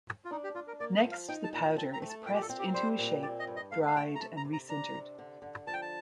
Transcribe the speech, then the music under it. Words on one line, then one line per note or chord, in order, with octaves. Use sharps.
Next the powder is pressed into a shape, dried, and re-sintered.
F4
D4 D#4
G4
D4 F4
A#4
A#3 D5
D#5
F3
F5
D#4 G5
A5
A#2
A#5
C4 A5
A#5
A3
A5
A#2 G5
G4
A4
C4
G4
G3 C5
A#2
C4 D5
D#5
G2
D#5
A3 F5
F5
A3 G5
A#5
C3 A5
A#5
C3
A#5
D4 A#5
C3
D3
D3
F3 A5
G5
A5